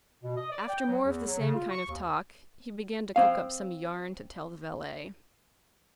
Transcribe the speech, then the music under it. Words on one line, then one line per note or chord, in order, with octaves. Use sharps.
After more of the same kind of talk, he began to cook up some yarn to tell the valet.
B2
D#5
D5
G5
F#3
E2
F#3
C#3
F4
C#6
D#2
C4 F5